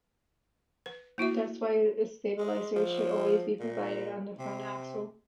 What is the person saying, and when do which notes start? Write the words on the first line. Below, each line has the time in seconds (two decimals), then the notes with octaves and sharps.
That is why a stabilizer should always be provided on the front axle.
0.86 B4
1.18 A#3 E4 F#4 E5
2.38 G#3
2.76 F3
3.60 A#2
4.38 C3